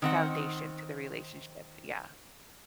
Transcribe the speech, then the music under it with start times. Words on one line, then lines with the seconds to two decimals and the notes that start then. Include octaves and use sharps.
foundation to the relationship, yeah.
0.02 D#3 C4 F#5